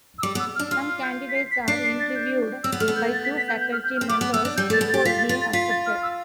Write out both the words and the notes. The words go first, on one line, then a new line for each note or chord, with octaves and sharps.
Some candidates are interviewed by two faculty members before being accepted.
E6
G3 D6
B3
E6
F6
D4
F4 F6
F6
G6
B6
C7
B6
D4 C7
C7
A6
G6
C4 E6
B3
A3 F6
B3
G6
A6
B6
B6
G6
G6
F6
G6
F6
C4
B3 D6
B3
B3 E6
D4
G3 G6
A3 A6
B3
A6
G4
A6
F4 B6
A6
F4 A6
A6
F4 B6
A6
F6
E6